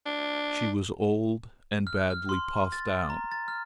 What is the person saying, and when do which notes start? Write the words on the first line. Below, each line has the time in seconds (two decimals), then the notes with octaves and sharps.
She was old and badly puffed out.
0.06 D4
1.87 F6
2.10 F6
2.29 C6
2.72 A6
3.10 A#5
3.32 A6
3.48 F6